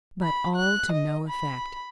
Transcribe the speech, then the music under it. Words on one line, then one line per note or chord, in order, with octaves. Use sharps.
But all to no effect.
B5
F#6
D#5
B5